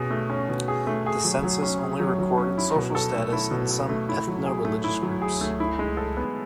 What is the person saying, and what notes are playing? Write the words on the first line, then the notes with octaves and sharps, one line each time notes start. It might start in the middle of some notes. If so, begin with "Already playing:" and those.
The census only recorded social status and some ethno-religious groups.
Already playing: B2 C#4 G#4
A3
C#4
B2
G#4
A3
G#4
F#3
F#3
C#4
G#4
F#3
F#3
C#4
E4
B2
A4
A3
E4
B2
A4
A3
E4
F#3
G#4
A3
E4
F#3
G#4
A3
E4
G#3
A4
B3